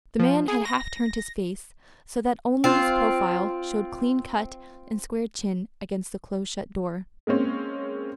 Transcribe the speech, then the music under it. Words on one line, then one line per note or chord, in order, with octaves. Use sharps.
The man had half turned his face so that only his profile showed clean-cut and square-chinned against the close-shut door.
F3
G#4
A#6
C4 F4
G#3 A#3 C4 C#4